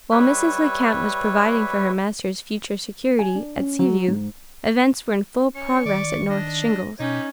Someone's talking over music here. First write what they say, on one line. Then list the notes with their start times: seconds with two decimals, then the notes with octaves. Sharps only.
While Mrs. Lecount was providing for her master's future security at Sea View, events were in full progress at North Shingles.
0.11 G3 B4 C#5 E5
3.19 G#5
3.35 D4
3.57 C#4
3.79 F#3
4.08 G#2
5.55 C#4 C#6
5.85 D#3 D5
6.29 D4 D#5
7.00 B2 C#4 D#4 G4